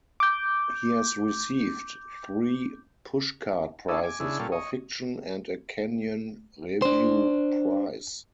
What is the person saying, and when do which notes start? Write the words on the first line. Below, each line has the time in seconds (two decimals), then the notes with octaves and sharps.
He has received three Pushcart Prizes for fiction and a Kenyon Review Prize.
0.20 D6 G6
3.88 C#4 D4 E4 G#4 A4 D#5
4.03 G#5 D6
4.20 C#3 D4 E4 G#4
4.39 A#2 G3 C#4 F4 A4
4.52 C#5 D#5
6.82 D4 C5